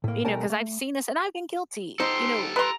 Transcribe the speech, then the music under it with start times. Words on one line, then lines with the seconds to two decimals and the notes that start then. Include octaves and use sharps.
you know, 'cause I've seen this, and I've been guilty, you know,
0.04 A2 A#3
0.25 B1 G3 A3 A#4 G#5 A5
0.50 A3
2.00 D#4 G4 A4 C5 C6
2.56 B4 A#5 C6